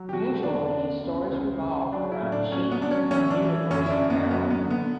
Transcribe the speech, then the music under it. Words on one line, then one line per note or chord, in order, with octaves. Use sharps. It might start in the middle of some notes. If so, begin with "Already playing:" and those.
Usually his stories revolved around machines and vehicles in peril.
Already playing: F#3
G4
B2 F#4
E2 D4
C#3
C#2
C#2
C#2
F#3 D4
E4
A2
D4
F#3 C#4
B3
F#3 D4
C#4
E3 C#4
D4
E3
F#2 C#4
E4
D4
F#2
B3
F#3 B3
B3
D3
B3